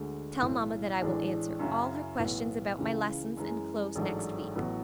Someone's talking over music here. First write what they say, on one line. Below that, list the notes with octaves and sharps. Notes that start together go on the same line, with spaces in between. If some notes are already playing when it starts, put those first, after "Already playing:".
Tell mamma that I will answer all her questions about my lessons and clothes next week.
Already playing: D2 D3 G#3
B1 A2 E3
A1 A2 E3 G#3 D4
F#2 C#3 F#3 C#4 E4
B1 A2 E3 B3
C#2 C#3 E3 G#3 C#4
F#2 E3 G#3
A1 G#2 F#3 A3 D4
A1 A2 F#3 B3